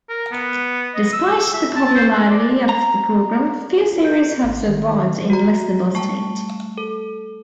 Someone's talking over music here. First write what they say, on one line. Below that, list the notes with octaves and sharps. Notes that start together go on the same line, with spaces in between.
Despite the popularity of the program, few series have survived in a listenable state.
A#4
B3
D#5
E6
E5
A5
C5
A4
D5
A#5
F4
G6
G#1
D#3
F#4 A#5
G3 A3 A5 C#6
A4